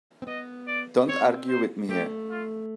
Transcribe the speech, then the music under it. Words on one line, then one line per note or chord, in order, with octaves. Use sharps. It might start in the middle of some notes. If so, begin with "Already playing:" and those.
Don't argue with me here.
C4
B3 D#5
D5
C4 C#5
C5
A3 G4
F4